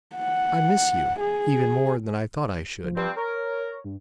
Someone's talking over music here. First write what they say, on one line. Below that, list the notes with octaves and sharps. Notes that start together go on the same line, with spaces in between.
I miss you--even more than I thought I should.
F#5
G#4
F3
G2 C4
A#4 C#5
G2